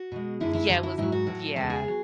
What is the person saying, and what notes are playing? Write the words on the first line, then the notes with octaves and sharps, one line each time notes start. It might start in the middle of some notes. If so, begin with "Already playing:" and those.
Yeah, it was Yeah.
Already playing: F#4
B2 G#3
F#2 D3 G#3 E4
E4
F#2 D3 F#3 E4
E4
G#2 F#3 E4
F#4
A2 F#3
E2 C#3 G#3 A4
G#4
F#3